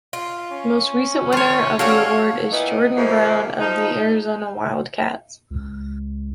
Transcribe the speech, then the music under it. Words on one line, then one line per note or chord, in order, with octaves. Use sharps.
The most recent winner of the award is Jordan Brown of the Arizona Wildcats.
F4
C#4
D#3 F4 C#5
E3 G3 F#4 A4 C#5 F5
A#2 B3 D#4 E4
F2 C3 D#3 A#3
F3 D#4
C#2